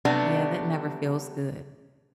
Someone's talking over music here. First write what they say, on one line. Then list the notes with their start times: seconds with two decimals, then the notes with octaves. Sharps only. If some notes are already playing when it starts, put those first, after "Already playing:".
Yeah, that never feels good.
0.05 C3 F#3 G3 A3 B3 D4